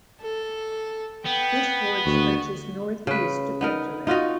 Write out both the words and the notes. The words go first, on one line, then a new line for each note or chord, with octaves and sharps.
This ward stretches north east to Pencarreg.
A4
B3 G5
D2 F#4
C#3 B4
B3 D#4 A#4
D#4 F4 F#4 D#5